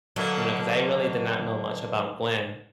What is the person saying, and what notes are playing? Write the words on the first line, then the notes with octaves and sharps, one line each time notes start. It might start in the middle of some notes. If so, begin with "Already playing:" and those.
you know, 'cause I really did not know much about Gwen,
B2 D3 F#3 A#3